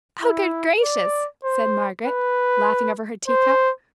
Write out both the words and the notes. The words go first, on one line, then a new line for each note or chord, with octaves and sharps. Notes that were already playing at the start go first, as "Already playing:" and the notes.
"Oh, good gracious!" said Margaret, laughing over her teacup.
E4
D5
C5
B4
C5